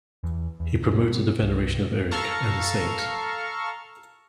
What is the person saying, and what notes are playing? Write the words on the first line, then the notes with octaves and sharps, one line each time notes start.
He promoted the veneration of Eric as a saint.
E2
E2
D1
G2
B3
C2
A4 F5 A5 A#5 C#6 F6